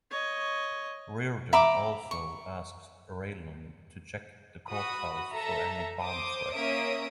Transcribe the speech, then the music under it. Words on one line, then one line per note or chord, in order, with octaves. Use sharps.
Reardon also asks Raylan to check the courthouse for any bomb threat.
C#5 D#5
E5 A#5 B5 D6
C#6
F#4 B5 D#6
A4 E5 A#5
C5 D6 D#6
A#3 C#4 E5 D#6 D7